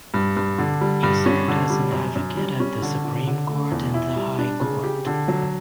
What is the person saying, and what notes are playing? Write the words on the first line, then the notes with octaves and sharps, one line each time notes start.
He served as an advocate at the Supreme Court and the High Court.
G2
G2
D3
G3
G2
C#4
D3
G3
F#2
F#2
G3
C#4
D3
D3
D3
A3
E2
E4
G3
D4
C#3
G4
D3
F#3